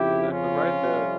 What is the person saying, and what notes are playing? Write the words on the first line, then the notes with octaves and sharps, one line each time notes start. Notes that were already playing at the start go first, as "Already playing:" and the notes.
It's at the right the
Already playing: F2 C#3 F3 E4 G4
C#4 F4
F2 C3 G3